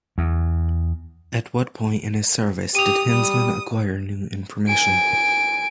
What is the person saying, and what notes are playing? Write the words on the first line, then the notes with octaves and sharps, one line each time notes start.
At what point in his service did Hinzman acquire new information?
E2
G4 D#6 D#7 F7
G3 D#6
G#5 D7